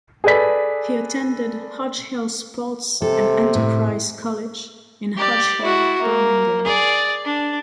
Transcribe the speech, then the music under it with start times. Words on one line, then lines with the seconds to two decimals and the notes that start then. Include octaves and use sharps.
He attended Hodge Hill Sports and Enterprise College, in Hodge Hill, Birmingham.
0.24 G#4 A4 B4 D5 B6
3.02 C3 A4
3.55 A2
5.17 G4 D5
5.61 E4 F#4
6.02 A#3
6.65 G#4 D5
7.24 D4